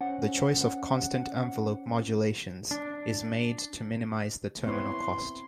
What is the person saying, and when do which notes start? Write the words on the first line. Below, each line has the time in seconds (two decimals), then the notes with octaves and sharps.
The choice of constant envelope modulations is made to minimize the terminal cost.
0.01 C#4 C5 F#5
2.71 D4
4.67 B3 C4 E4 B4 C#5 C6